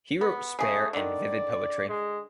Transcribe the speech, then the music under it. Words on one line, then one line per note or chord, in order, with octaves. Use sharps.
He wrote spare and vivid poetry.
B3
C#3 A3 G#4
D3 D#3 D5
G#3